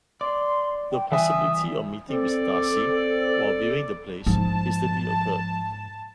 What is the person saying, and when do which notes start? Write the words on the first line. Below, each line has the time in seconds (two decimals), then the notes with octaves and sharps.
The possibility of meeting Mr. Darcy, while viewing the place, instantly occurred.
0.21 D5 C6
0.92 G5
1.12 E3 G3 E5 G#5 D#6
2.10 C4 A4 D5
4.27 G#2 F3 A5